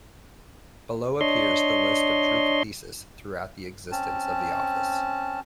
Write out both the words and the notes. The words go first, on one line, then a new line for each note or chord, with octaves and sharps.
Below appears the list of Druk Desis throughout the existence of the office.
D4 C#5 D#5 C6
C4 C#4 A5